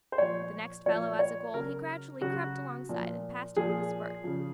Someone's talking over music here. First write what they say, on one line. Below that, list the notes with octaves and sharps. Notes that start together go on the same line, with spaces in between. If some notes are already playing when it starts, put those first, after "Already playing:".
With the next fellow as a goal, he gradually crept alongside, and passed him with a spurt.
C5
A#2 F3 C#5
A#2 F3 C#5
C#5
C#3 F#3 A#4
C#3 F#3 F#4
A#2 F3
A#2 F3 G#4
C#3 F3